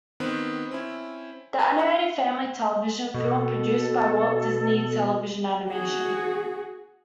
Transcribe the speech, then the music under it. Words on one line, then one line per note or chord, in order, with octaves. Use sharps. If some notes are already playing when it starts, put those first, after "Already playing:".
The animated family television film produced by Walt Disney Television Animation.
D#3 B3 C4 B4
C4 C#4 E4
B4
E5 F#5
B2 A4
F#4 G#4